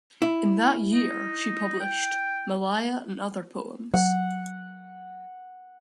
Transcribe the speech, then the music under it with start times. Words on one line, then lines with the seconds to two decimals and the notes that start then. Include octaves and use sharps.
In that year, she published "Melaia and other Poems".
0.22 E4
0.94 D#4
1.81 G5
3.94 F#3 F#5